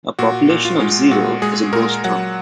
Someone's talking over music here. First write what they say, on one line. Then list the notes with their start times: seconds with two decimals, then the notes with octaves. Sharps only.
A population of zero is a ghost town.
0.19 A#2 F#4
0.49 A#2
0.65 F4
0.80 G#3
1.11 A#2 F#4
1.42 G#3 G#4
1.73 A#2 A#4
2.04 F#3 F#5